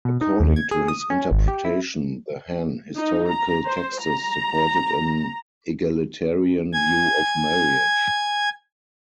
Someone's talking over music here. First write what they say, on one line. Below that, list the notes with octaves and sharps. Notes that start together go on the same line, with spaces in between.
According to his interpretation, the Han historical texts supported an egalitarian view of marriage.
B2
D#4
D#2
G#6
G#4
D#6
C#4
G#1
G4
E4
D#4
A#5
C5
A#5
G#5 G#6